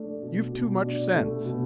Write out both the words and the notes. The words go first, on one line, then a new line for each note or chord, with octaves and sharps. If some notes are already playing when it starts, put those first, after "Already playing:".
You've too much sense.
Already playing: A3 D4
B2
B2
D4
A3
B2